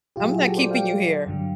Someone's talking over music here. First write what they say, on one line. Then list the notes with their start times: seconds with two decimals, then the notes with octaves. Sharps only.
I'm not keeping you here.
0.16 A#2 F#3 F4 G4
0.30 F#4 G#4
0.45 G4 A4
0.57 C5 D5
0.71 F5 G5
1.27 G2 D3 F#3